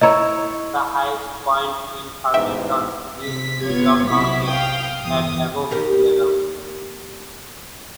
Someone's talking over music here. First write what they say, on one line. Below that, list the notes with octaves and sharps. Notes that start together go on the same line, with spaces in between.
The highest point in Farmington is Blue Job Mountain, at above sea level.
D#4 E4 C#5 D#5 A#5
A1 G#2 B2 E5 G5
C3 B6
G1 B3 F4 C#5 G#6
B1 C3 E4 B6
F5 G5 D#6
G1 E2 D#6
D#2 G4 A#4